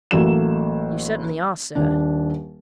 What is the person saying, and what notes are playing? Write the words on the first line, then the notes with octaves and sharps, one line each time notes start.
"You certainly are, sir."
A1 F#3 A3 A#3 F#4 E7
D#1 D4